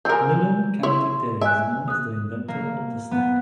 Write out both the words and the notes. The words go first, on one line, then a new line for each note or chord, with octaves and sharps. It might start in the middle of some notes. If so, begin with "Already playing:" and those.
Milon Kanti Dey is known as the inventor of the snack.
F3 A#4 G#5 E6 G6
E4 C#5 C6
E5 G#5 F#6
D#6 F#6
A#3
B3